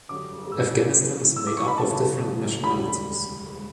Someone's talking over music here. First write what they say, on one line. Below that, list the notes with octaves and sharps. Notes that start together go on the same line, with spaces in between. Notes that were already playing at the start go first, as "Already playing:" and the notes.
Afghanistan is made up of different nationalities.
F#2 D3 G3 D6
E6
F#2 C#3 E3
E6
D6
C#6
B5
F#1 F#2 C#3 F#3 A3 A5
E1 D2 D3 G3 B5